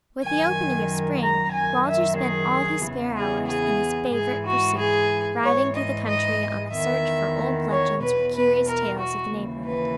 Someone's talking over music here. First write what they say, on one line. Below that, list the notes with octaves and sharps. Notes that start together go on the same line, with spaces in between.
With the opening of spring Walter spent all his spare hours in his favorite pursuit, riding through the country on a search for old legends or curious tales of the neighborhood.
F#2 D#3 G#5
A#5
F#2 D#3 G#5
E5
G#4
E2 C#3 E3
G#4
G#4
G#2 E3 G#4
F#4
G#4
G#2 E3 C#5
D#5
D#5
E2 D#3 E5
C#5
E2 B2 B4
B4
A#4
F#4
D#2 C#3 E3
B4